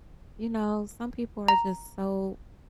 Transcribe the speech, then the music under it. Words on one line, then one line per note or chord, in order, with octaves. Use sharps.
You know, some people are just so
A#5